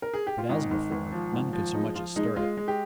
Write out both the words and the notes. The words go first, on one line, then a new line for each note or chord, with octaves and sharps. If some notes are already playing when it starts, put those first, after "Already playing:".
But as before, none could so much as stir it.
A#4
G#4
G4
F4
G#1 D#4
G#1
G#1
F3
G#1
F3
G#3 D#4
F3 F4
G#3 D#4
G#3 F4
G#3
G4